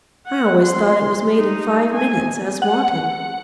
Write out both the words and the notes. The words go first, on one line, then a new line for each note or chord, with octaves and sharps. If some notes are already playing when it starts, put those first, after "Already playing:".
I always thought it was made in five minutes, as wanted.
F#5
C6
D#4
G#5
F#5